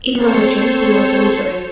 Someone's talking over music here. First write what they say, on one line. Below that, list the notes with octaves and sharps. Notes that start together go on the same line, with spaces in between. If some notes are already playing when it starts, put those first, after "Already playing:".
In religion, he was a Lutheran.
C4 A4 C5 C#5